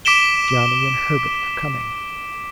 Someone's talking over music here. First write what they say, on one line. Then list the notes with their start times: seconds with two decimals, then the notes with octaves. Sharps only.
Johnny and Herbert are coming.
0.05 D6 B6 D7 E7 G7